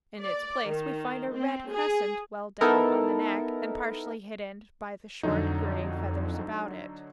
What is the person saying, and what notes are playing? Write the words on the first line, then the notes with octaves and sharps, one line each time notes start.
In its place we find a red crescent well down on the neck, and partially hidden by the short gray feathers about it.
D5
D#3
C4
G#4
B3 D#4 E4 A4 A#4
F2 D3 F#3 D#4